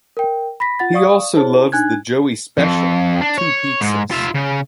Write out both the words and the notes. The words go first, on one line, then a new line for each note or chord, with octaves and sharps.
He also loves the "Joey Special" - two pizzas.
A#4 G5
B5 A#6 B6
F4 F#5 A6
D5 F5 C#6 D#6
E4 G#4 C5 C#5 A5
D4 D#4 G#5 F#6 G#6
F2
D4
C#5
G#2
F4 E5
C#3